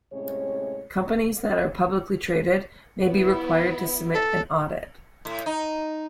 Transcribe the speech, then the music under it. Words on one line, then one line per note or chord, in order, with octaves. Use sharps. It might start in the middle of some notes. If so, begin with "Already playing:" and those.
Companies that are publicly traded may be required to submit an audit.
A2 C3 G#3 C#4 C#5
B3 E4
A4
A2
D#4